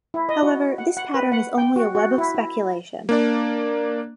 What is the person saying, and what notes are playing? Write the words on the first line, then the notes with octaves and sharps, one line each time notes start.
However, this pattern is only a web of speculation.
E4
D#5
F#4
F#5
F#5
B4
F#5
G5
F#4
F#4
E4
E4
A#3 D4 D5